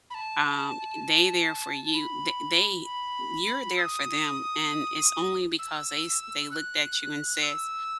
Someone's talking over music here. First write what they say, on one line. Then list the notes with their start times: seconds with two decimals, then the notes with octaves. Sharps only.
Um, they there for you, the they you're there for them, and it's only because they s they looked at you and says,
0.10 B5
0.14 A5
1.84 A5
1.93 B5
2.84 B5
3.77 E6
3.81 D#6
5.59 E6
6.52 F#6
7.42 E6